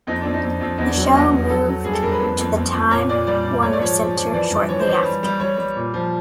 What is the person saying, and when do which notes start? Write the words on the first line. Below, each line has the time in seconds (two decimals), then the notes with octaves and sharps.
The show moved to the Time Warner Center shortly after.
0.07 F2 D#4
0.21 F2 D4
0.34 D#4
0.43 F2
0.61 F2
0.78 E2 D#4
0.87 D4
0.96 F#3 C#4
1.05 D4
1.13 E2 D#4
1.31 E2
1.49 F#3 A4
1.67 F#3
1.85 G2 G#4
1.93 A4
2.02 G2 A#4
2.12 B4
2.21 F2
2.38 F2
2.56 F2
2.74 F2
2.91 A#2 C#5
3.09 A#2 D5
3.27 G3 D5
3.44 A#2
3.62 G#2 C#5
3.73 D5
3.80 F3 C#5
3.98 F3
4.16 F3
4.34 E3 D5
4.51 G2
4.69 E3 C#5
4.80 C5
4.87 E3 C#5
5.04 G3
5.23 G3
5.40 G3 C#5
5.57 G3
5.76 A#2
5.94 F3